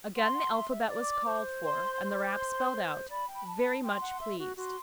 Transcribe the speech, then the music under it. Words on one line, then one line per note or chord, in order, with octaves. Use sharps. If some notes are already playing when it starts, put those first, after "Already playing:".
Again the alphabet was called for, and the raps spelled out, "Very much pleased."
F#5 C6
F#5
E5
E5
D5 D6
C5
C6
D6
C6
D5 B5
G5
B5
A5
B5
A5
G5 C6
F#5
E5
F#4
F#4 C6